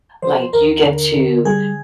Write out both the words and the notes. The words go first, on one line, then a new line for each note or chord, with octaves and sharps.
Like, you get to
F3 C5
D#2 A#4
D3
D3
G3 G#4